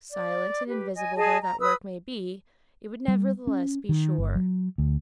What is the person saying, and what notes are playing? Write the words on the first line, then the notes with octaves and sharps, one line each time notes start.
Silent and invisible though that work may be, it would nevertheless be sure.
D5
G4 B4
D#5 G#5
G#4 D#5 G#5 A5
A#5
B4 D#6 E6
G3
C#4
D#3
G1
F#3
D2